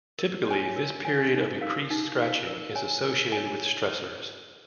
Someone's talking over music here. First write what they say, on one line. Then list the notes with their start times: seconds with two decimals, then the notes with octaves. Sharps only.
Typically this period of increased scratching is associated with stressors.
0.19 A#4
0.48 C#5 G#5
0.76 A#4
1.05 C#5 G#5
1.34 D#4
1.61 A#4 F5
1.90 D#4
2.18 A#4 F5
2.47 A#4
2.75 C#5 G#5
3.04 A#4
3.32 C#5 G#5